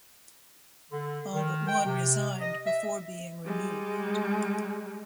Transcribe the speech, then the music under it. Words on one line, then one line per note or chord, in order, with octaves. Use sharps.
All but one resigned before being removed.
D3
D#3
G5
C3
D#5
E5
G3 G#3